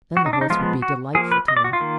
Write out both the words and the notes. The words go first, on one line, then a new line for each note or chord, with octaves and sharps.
Then the horse would be delightful to him.
F#4
D#4
D4
D#4
F3 G#3 B3 F4
F#4
F3 A#3 G#4
B4
D#5
D5
F#4
F4
D#3 A#3